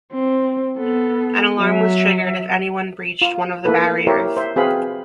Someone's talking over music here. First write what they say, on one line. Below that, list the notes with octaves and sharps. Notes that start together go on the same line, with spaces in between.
An alarm was triggered if anyone breached one of the barriers.
C4
B3 A4
F#3 E5
F4
A#3 E4 F4 A4 B4
E4 G4 A#4 C5 C#5 E5
C5 E5
C4 F#4 G#4 B4 F5 B5